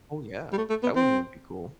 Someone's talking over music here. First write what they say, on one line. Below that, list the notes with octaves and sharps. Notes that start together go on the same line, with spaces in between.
Oh, yeah. That one would be cool.
G3
A3
A3
B3
C4